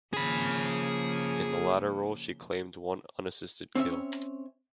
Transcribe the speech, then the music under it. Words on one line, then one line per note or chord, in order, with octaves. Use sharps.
In the latter role, she claimed one unassisted kill.
C#3 F3 A#3 G#4 B5
C4 C#4 C#5 E5